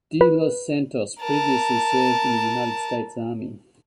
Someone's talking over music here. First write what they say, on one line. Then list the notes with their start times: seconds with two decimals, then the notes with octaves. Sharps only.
De los Santos previously served in the United States Army.
0.21 B4
1.21 A#4 A5